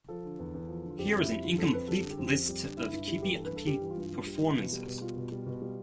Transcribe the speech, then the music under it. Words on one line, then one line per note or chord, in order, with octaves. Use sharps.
Here is an incomplete list of keepie-uppie performances.
F3 A4
D3
E2
E2
F3
D3
F4
F2 G4
F2
E4
G3
D3 F4
F2 A4
F2 B4
G3 A4
D3
G4
F2
F2
G3
D3
G2 E4
G2 E4
G3 E4
E3 G4
G2 A4
B4
G2 A4
G3 G4
E3
F4
G2
G2
G3
E3
B2
G3
B2
G3 F4
B2
G3
B2
G3